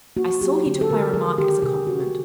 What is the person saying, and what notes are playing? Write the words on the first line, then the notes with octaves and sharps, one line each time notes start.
I saw he took my remark as a compliment.
A#3 F#4
F#3 G4
D3
A4
D3 A#4
G#3 G#4
D#3 G4
C3 G#4
C3 F#4